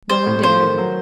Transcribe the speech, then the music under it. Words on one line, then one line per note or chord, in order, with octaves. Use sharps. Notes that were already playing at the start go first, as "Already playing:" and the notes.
No one dared.
G3 C5
A2
A3 C5
D#3
F#3